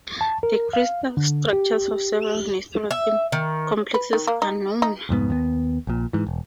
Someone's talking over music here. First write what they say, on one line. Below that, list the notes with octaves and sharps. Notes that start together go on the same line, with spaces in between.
The crystal structures of several nitrophorin complexes are known.
A5
A#4
F5
D3
G4
E5
D#3
B4
D#3
A#3
D#4
D#4
C2 F2 G#2 B3
D#2 B3
A#1 A#2
G#2 E3
E1